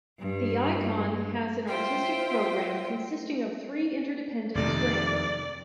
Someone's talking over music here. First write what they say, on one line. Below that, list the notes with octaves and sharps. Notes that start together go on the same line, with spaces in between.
The Ikon has an artistic programme consisting of three interdependent strands.
G2
F4 C5 E5 G5
F2 C3 D#3 D5